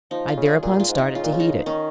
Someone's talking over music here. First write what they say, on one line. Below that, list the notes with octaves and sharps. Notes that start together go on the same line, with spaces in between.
I thereupon started to heat it.
F3 D#4
F4
C#3
G#4
A#2 G#4
A#2 F4
G#2
D#4
C#3 F4
A#2
C#3
D#4
D#3 C#4